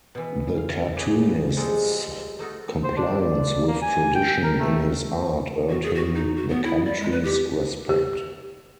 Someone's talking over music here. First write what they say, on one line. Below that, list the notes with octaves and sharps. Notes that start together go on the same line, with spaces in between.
The cartoonist's compliance with tradition in his art earned him the country's respect.
B2 E3
F5
G4 G#4 B4 C#5 D#5 G5
F3 G3 G#3 D#4 A4
A3 D#4 F4 F#4
C5
D4
D5
A#3
G#5
G5
A#4
A3
F#4
G#4
F#4
D#4
F#4
B3
E4
D5
G#3
B4
G4
G4